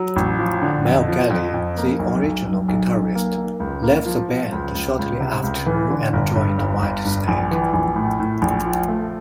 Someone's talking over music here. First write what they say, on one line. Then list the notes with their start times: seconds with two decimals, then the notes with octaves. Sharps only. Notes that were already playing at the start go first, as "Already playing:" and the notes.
Mel Galley, the original guitarist, left the band shortly after and joined Whitesnake.
Already playing: F#3
0.16 A1
0.39 F3
0.62 D3
0.86 F2
1.08 F3
1.30 F2
1.54 F2
1.77 A#3
1.99 B1
2.23 B1
2.46 B1
2.68 B1
2.91 B1
3.15 A#3
3.37 A#3
3.60 C#2
3.83 A#3
4.06 F3
4.29 F3
4.52 C#2
4.75 C#2
4.99 C#2
5.20 C3
5.43 C#2
5.66 E3
5.90 D3
6.13 G1
6.35 G2
6.58 G1
6.82 G1
7.05 G2
7.28 A#1
7.51 E3
7.73 A#1
7.96 A2
8.20 A2
8.42 A#1
8.66 F3
8.88 A3